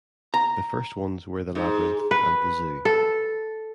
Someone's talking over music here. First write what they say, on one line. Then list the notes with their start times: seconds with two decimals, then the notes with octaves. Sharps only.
The first ones were the labyrinth and the zoo.
0.34 A#5
1.55 G#2
2.11 B4
2.85 A4